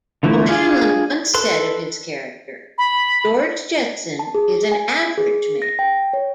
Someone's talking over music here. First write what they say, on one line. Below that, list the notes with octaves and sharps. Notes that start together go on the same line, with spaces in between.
O'Hanlon once said of his character: George Jetson is an average man.
D3 E3 F3 A3 E4
D4 F4 G#4 G#5
A4 B4 C6
B5
A5
G#4
G#5
G#4
A#6
G5
C#5